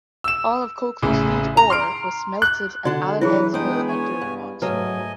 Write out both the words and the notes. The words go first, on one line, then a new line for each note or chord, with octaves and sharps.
All of Coalcleugh's lead ore was smelted at Allenheads Mill at Dirtpot.
E6 E7
A1 C#3 E4
A#5
C6 F6 D7
F#6
D3 D4 F#4 D5
E3 F#3 D4 E4 G#4 B4 C#5
G#3 B3 D4 D#4 G5 D#6
C#5 G#5
G2
G#2 F#3 A3 B4 D#5 G#5